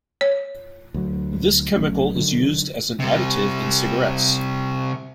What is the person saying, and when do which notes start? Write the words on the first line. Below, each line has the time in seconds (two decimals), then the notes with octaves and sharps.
This chemical is used as an additive in cigarettes.
0.21 C#5
0.94 D2 F#3
1.76 A#1 F#3 A3 C#4
2.15 D3 D#3 F#3
3.00 C3 G3